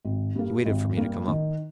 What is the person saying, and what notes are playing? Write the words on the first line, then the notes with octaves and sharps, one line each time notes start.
He waited for me to come up.
G#1
G2 G3 A#3
G#1
G2 G3 A#3
D#3